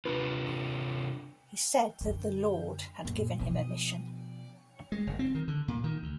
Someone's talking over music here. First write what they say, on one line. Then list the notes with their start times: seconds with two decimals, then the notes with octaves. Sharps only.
He said that the Lord had given him a mission.
0.05 C3 D4 F4 B4
2.01 F#2 D3
3.05 F#2 A#2
3.39 B2 F3
4.92 G#3
5.07 F#1
5.19 C4
5.35 D#3
5.48 D3
5.68 A#2
5.84 D#3
6.02 D2